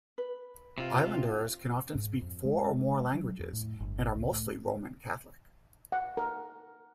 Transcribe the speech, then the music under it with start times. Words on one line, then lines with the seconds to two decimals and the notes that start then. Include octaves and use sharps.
Islanders can often speak four or more languages and are mostly Roman Catholic.
0.18 B4
0.78 C3 F4
1.95 G#2
2.22 F2
2.45 G#3
3.14 F#3
3.40 F2
3.53 A2
3.80 G1
4.15 C#2
4.31 A2
5.92 F#5
6.17 A#4